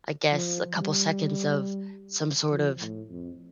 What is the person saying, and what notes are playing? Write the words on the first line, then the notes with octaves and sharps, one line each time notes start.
I guess, a couple seconds of some sort of
F3
G3
F3
A2
F2